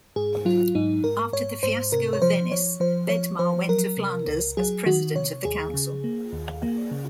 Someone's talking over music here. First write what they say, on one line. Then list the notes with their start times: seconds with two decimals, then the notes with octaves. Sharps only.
After the fiasco of Venice, Bedmar went to Flanders as president of the council.
0.16 G#2 G#4
0.45 F#3 F4
0.75 G#2 D#4
1.04 G#2 A#4
1.33 G#2 C#5
1.63 G#2 C5
1.92 C3 A#4
2.13 C#5
2.22 F3 C5
2.52 F3 C#5
2.80 F3 C5
3.09 F3 C#5
3.39 F3 C5
3.69 F#3 A#4
3.97 C3
4.27 C#2
4.57 F#3 G#4
4.86 D#3 F#4
5.15 C3 C#5
5.45 D#2 G#4
5.74 C#3
6.04 A#3
6.32 D#2
6.62 A#3
6.91 C#3